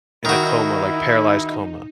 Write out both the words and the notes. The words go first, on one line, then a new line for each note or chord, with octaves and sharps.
in a coma, like, paralyzed coma.
D#3 D#4 E4 F#4